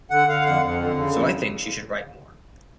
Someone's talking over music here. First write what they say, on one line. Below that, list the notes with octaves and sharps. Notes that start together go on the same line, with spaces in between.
So I think she should write more.
D3 F#5
D3 F5
F2 F#5
F2
D3
C#3
F2